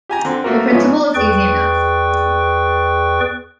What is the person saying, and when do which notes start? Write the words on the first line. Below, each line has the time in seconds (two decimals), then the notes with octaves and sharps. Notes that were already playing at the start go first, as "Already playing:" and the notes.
The principle is easy enough.
0.09 G4 G#5 A#5
0.25 D3 C4
0.44 A3 A#3 F#4 A#4
0.70 G#2 E3 F3 G#3 B3 C#4
1.14 E2 G#4 B4 D5 G5 C#6